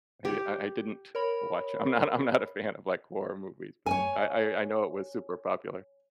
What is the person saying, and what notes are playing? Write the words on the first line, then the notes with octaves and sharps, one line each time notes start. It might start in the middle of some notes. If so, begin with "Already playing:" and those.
Maybe I I didn't watch I'm not I'm not a fan of, like, horror movies, but I I I know it was super popular.
G4
A#4 C#5 B5
C#5 G#5